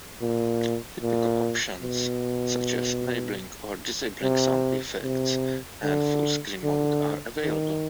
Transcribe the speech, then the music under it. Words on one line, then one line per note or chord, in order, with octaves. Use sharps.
Typical options, such as enabling or disabling sound effects and full-screen mode are available.
A#2
A#2
B2
C3
C3
D3
D3
D#3